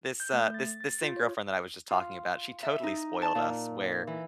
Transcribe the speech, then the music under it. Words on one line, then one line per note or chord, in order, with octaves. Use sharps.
This, uh this this same girlfriend that I was just talking about, she totally spoiled us where,
G6
A3
A6
A6
F4
C#5
F4
E5
D#4
A5
A#2
E3